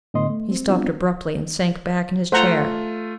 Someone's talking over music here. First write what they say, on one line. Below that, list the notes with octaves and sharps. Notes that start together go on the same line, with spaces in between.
He stopped abruptly, and sank back in his chair.
A2 D3 B3 D#5 C6
A3
C4
G3 B3 C4 D4 F4
A3 F4 C5 F#5 A#5